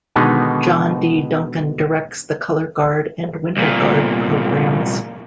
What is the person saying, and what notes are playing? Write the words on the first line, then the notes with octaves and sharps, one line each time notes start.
John D. Duncan directs the color guard and winter guard programs.
B2 D3 D#3 G#3 B3 D#4
C2 A#2